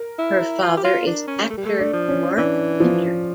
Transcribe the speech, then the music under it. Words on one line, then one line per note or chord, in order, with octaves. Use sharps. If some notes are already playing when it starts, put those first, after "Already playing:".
Her father is actor Mark Pinter.
Already playing: A#4
E4
F4
G4
F4
D4
C#4
A3
G3
A3
D4
F3
C#4
E3 D4
F3